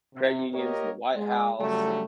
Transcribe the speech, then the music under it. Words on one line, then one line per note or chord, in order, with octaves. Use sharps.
credit unions and the White House, and
C3
A#3 G4 A#4 C#5 D#5
G#3
C#3 F#3 G3 A3